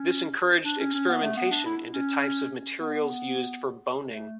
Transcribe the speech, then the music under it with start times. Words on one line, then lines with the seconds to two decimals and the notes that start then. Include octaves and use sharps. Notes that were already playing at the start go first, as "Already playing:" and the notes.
This encouraged experimentation into types of materials used for boning.
Already playing: C#4
0.65 D4
0.79 C#4
0.94 C#4
1.08 B3
1.23 A3
1.37 B3
1.51 D4
1.65 E4
1.94 C#4
2.80 B3
4.10 A3